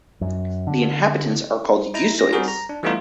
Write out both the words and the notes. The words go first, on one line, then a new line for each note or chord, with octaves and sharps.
The inhabitants are called "Yussois".
F#2
D3
D#4 E4 A#5
A#6
G3 C4 F#4 G#4 A#4
A#5
D4
E3 G3 A3 B3 D#4 F4